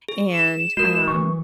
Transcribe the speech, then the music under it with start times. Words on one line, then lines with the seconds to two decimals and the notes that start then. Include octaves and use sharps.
And, um,
0.09 G#4
0.34 E7
0.77 G#3 F#4 A#4
1.08 E3 C#6